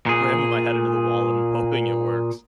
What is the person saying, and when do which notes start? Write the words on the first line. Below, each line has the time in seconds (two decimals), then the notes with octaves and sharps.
ramming my head into the wall and hoping it works.
0.06 A#2 G#4